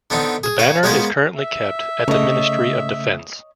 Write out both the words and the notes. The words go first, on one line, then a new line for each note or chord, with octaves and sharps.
The banner is currently kept at the Ministry of Defense.
D3 B3 C4 D4 D#4
G#4
C#5 F5 G5
G#3 B3 C#4 A#4 C5 F5
E5
C#3 A3 C#5 D#5